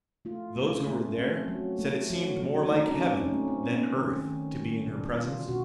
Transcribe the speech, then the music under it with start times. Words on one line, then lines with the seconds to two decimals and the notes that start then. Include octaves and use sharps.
Those who were there said it seemed more like heaven than earth to be in her presence.
0.25 A3 F4
0.56 A3
0.72 C#4
0.87 A3
1.18 A3 C4
1.48 F#3
1.79 A3
2.10 F#3
2.41 F#3
2.65 D#4
2.71 A3
2.78 D4
2.89 C#4
3.02 C4
3.20 D4
3.26 C#4
3.33 A3
3.48 C4
3.63 C4
3.71 C#4
3.94 D#3 C#4
4.25 D#3
4.56 G3
4.86 B2 D4
5.17 B2 F4
5.48 B2 F#4